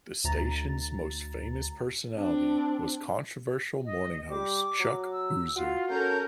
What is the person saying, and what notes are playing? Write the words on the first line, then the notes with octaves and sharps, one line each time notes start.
The station's most famous personality was controversial morning host Chuck Boozer.
D2 A#5 A6
C4 D4
D#5
G3 D6
F#3
E6
F4 F#4
C#4 A4 A#4 G6